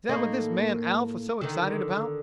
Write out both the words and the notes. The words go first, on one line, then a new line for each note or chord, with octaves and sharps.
"Is that what this man Alf was so excited about!"
A2 A#3 D#4
D3 D#3